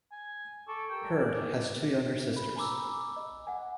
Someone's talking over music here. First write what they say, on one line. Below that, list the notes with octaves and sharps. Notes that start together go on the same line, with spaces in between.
Hird has two younger sisters.
G#5
A4 C#6 D6
G4 A4 A#4 G5
F#3 G#4 D5
B5
G#5 A#5 B5 D6 E6
D#5
F#5 G#5